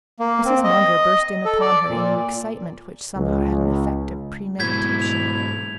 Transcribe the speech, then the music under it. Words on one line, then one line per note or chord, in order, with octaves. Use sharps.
Mrs. Munger burst in upon her in an excitement which somehow had an effect of premeditation.
A#3
C4
D#5
A4
D5
A#2
C#2
G#2 B2 E4 G6 G#6 B6
F7